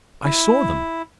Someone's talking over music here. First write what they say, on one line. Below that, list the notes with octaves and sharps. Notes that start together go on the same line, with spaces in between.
"I saw them."
E4